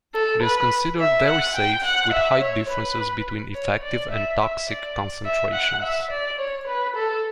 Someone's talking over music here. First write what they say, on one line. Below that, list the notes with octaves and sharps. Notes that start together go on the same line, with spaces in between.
It is considered very safe, with high differences between effective and toxic concentrations.
A4
B4
E5
F#5
G5
F#5
E5
C#5
B4
C#5
D5
E5
E5
D5
E5
F#5
E5
D5
C#5
B4
A4